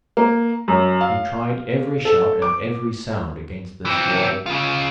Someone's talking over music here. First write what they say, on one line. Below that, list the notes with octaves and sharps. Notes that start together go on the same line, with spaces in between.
He tried every shout and every sound against this wall.
A#3
F#2
F5
A4
D6
E3 C4
C#3 F4